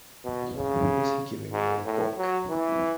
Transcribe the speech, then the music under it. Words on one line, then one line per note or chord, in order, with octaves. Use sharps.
Is he giving away a book?
B2
C#3
G#2
A2
F#3
E3